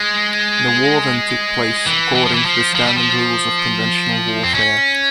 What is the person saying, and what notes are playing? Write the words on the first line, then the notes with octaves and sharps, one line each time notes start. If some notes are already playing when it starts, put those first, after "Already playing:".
The war then took place according to the standard rules of conventional warfare.
Already playing: G#3
E3
E3
F3
E3
F3
F3
G3
F3
C4
C#4